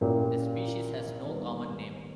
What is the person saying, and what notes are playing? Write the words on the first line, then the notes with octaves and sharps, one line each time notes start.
The species has no common name.
A#2 A#3 C#4 E4 G4
D#3 G3 B3